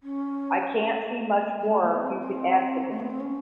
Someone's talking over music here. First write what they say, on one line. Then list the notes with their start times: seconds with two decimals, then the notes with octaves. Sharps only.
I can’t see much more you could ask of him.
0.03 C#4
1.61 G#3
1.72 A3
1.81 A#3
1.91 B3
2.01 C4
2.21 C4
2.90 A3
3.00 B3
3.10 C4
3.20 C#4